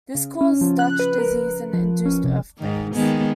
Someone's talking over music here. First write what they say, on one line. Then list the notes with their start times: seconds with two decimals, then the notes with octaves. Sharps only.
This caused Dutch disease and induced earthquakes.
0.15 C#3
0.41 C#4
0.61 F3
0.79 F#6
0.99 B4
1.18 A#4
1.74 F3
2.06 C#4
2.24 C3
2.58 G#2 D#3
2.95 D#3 G#3 B3